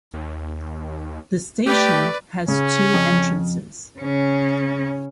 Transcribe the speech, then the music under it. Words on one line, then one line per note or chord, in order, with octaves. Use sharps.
The station has two entrances.
D#2
A3 G4 B4 D5
C#3 C#4
F2
C#3 C#4